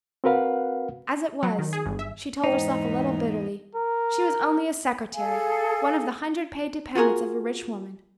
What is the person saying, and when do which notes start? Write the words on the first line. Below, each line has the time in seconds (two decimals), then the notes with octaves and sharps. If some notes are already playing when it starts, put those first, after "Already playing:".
As it was, she told herself a little bitterly, she was only a secretary, one of the hundred paid dependents of a rich woman.
0.24 C4 F#4 A#4 B4 F5 F#5
1.43 F#3
1.59 D#3
1.73 G#4
1.86 G1
1.99 E5
2.44 E2 G#2 B3 D#4 C5 G5
3.75 A#4
5.14 G#4 A4 F5 G#5
6.95 F4 F#4 G#4 A#4